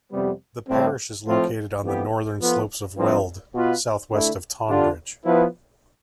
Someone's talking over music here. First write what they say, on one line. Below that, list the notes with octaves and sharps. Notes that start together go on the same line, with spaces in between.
The parish is located on the northern slopes of the Weald, south-west of Tonbridge.
F2 C3 G3 B3
A2 G3 C4
A2 F3 C4 F4
F2 E3 B3 E4 G4
F3 B3 F4 A4
G2 F3 C4
B2 B3 F4 B4
D3 A3 E4
D3 G3 D4 F4
F3 B3 E4 B4